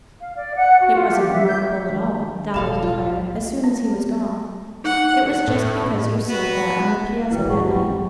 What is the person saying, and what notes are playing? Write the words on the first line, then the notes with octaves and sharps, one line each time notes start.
"It wasn't remarkable at all," Dolly declared, as soon as he was gone. "It was just because you said that on the piazza that night."
F5
D5
F#5
F#4
F4
G4
E5
G6
E5
D#3 G#3 D4
E1 B1 A2 A4 F5 A5
F4
B3
D#4 F#5
A2
B3 F#4 B4
B2 D#3 E3 E4 B4 G5
G#2 G#3 G#4 F#5 C#6
C3 A3 B3
D#3 E3 G5
F2